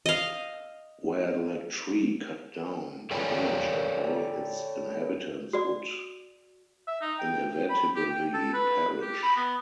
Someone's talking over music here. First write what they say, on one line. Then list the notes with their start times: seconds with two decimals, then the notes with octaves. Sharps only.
Were the tree cut down, the village and all its inhabitants would inevitably perish.
0.06 D#5 F5
3.11 A4 C#5 D5 G5 G#5
5.53 F#4 D5
6.87 E5
7.01 D#4
7.19 G5
7.50 G5
7.70 B5
7.96 G4
8.09 G5
8.34 A4
8.54 B4
9.01 G4
9.23 B5
9.36 B3